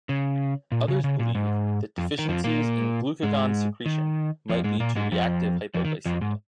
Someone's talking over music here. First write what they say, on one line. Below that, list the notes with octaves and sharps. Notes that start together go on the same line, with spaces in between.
Others believe deficiencies in glucagon secretion might lead to reactive hypoglycemia.
C#3
A#2
C#3
C#3
A#2
G#2
F2
D#3
F2 F3
A#2 A#3
G#2 G#3
D#3
F2 F3
G#2 G#3
A#2 A#3
G#2 G#3
F2 F3
F2 F3
D#3
F2 F3
G#2